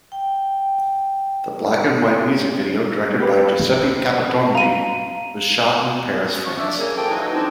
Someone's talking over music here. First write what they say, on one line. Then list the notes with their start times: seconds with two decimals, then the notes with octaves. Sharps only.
The black-and-white music video, directed by Giuseppe Capotondi, was shot in Paris, France.
0.12 G5
3.20 G4 B4
4.55 F5 A#5 D#7
6.46 F3 C#6
6.59 D4 E5
6.79 A#3 C#4 G#4
6.97 F3 A4 G5
7.10 E3 F#3 D#4
7.35 C4 D4 A4